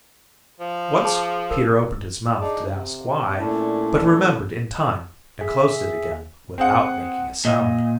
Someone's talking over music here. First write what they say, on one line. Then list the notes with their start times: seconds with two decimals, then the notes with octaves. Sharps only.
Once Peter opened his mouth to ask why, but remembered in time and closed it again without making a sound.
0.60 F3
1.04 G#4 G5 A5
1.51 A#4
2.40 D4 D#4 G#4 D5
2.69 C3
3.39 A#2 A3 C#4 D4 E4
5.41 G#4 E5
6.58 C4 G#4 F#5
7.45 A#2 D#5